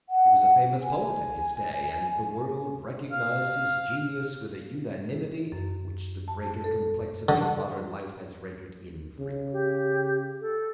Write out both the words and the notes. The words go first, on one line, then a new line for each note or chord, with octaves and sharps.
He was a famous poet in his day, and the world recognised his genius with a unanimity which the greater complexity of modern life has rendered infrequent.
F#5
G#5
F5
F#2
A5
A4
D3
C#3
G4
A4